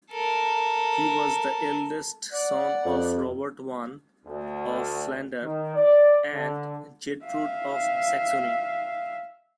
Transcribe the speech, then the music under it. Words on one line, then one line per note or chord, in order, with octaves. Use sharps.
He was the eldest son of Robert I of Flanders and Gertrude of Saxony.
A4 A#4
D5 F#5
F2
D2
D#3
D5
D3
E5 F5